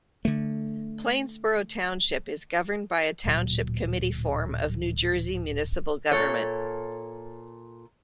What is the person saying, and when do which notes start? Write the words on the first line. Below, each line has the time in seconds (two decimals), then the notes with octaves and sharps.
Plainsboro Township is governed by a Township Committee form of New Jersey municipal government.
0.25 D3 A3
3.25 D1 A#2 F#3
6.12 A#2 A4 C#5